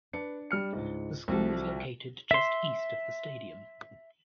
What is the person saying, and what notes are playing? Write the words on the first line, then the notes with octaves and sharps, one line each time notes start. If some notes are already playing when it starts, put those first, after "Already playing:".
The school is located just East of the stadium.
D4 B4 C#7
G3 F6 C#7
C#2 G#2
C2 F3 F#4 A4
E5 C6